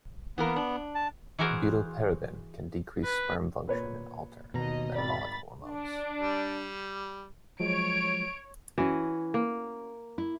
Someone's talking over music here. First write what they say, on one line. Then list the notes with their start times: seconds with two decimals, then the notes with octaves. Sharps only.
Butylparaben can decrease sperm function and alter metabolic hormones.
0.38 E3 A#3 B3 A#4
0.56 D4
0.95 A5
1.39 E3 F#4 G#4 A#4 C5
3.05 B4
3.68 A#2 B4 C#5
4.54 D#2 B2 D#5 A#5
4.95 G#1 D5 B5 A6
5.64 D4
6.20 G3
7.60 F3 F#3 G#3 C#5 D7
8.78 E3 C#4 F#4
9.34 A#3
10.18 E4